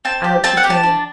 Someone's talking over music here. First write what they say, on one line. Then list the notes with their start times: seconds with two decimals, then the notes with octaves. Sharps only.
Out he came.
0.05 C4 A5
0.24 G4
0.44 C4 A5
0.57 F#5
0.64 G4
0.70 A5
0.83 D4